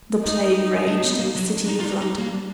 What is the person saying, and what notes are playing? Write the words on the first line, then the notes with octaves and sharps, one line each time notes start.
The plague raged in the city of London.
D#4
D4
B3
A#3
F#3
D4
D#4
F4
D#4
D#4
A#3